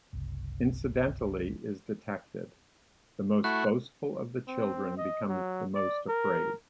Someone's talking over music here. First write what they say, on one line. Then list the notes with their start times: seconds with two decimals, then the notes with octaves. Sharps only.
Incidentally is detected: The most boastful of the children becomes the most afraid.
0.13 F#1 C2
3.44 A3 E4 F#4 F#6
4.48 C4
4.98 D#5
5.29 F#3
5.75 D5
6.09 A#4